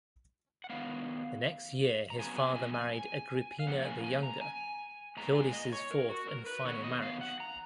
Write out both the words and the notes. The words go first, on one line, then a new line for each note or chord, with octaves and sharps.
The next year, his father married Agrippina the Younger, Claudius' fourth and final marriage.
F#5
D#3 F#3 B3 F5
A#5
C#3 F#3 B3 G#5
G#5
G#5
G#5
G#5
F5
C#3 F3 A#3 F#5
G#5
G#5
A#5
G#5
A#2 G#3 B3 A#5
G#5
D#5
C#5
A#4
F#4
A#4
B4
D#3 F#3 B3 C#5
D#5
F5
F#5
A#5